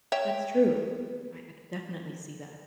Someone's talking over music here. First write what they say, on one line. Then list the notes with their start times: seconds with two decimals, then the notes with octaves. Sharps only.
That's true. I I could definitely see that.
0.12 C#5 E5 G5